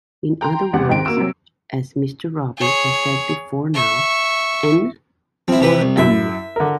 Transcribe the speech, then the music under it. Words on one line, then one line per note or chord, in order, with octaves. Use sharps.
In other words, as Mr Robey has said before now, N or M?
G5 A#5 C6
A1 E2 G3 F#5 D6
G#2 D#3 C4 D#4 G4 D7
A#3 F#4 E6 D7
C3 F#3
G#4 C#5
E5 C#6
F3 C4 E4
C3 G4 B4
C2
F#2 E4 E5
D3 A#4